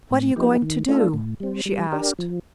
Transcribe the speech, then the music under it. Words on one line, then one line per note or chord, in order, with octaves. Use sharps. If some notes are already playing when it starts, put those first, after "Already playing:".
"What are you going to do?" she asked.
A2
F3 A#3 D#4 G4
D#3
A3 D4 F4 A4
A2
G3 C4
G3
D4 G4 A#4
F3